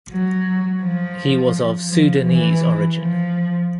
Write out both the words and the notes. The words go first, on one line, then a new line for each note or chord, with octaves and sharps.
He was of Sudanese origin.
F#3
F3
F3
E3
F3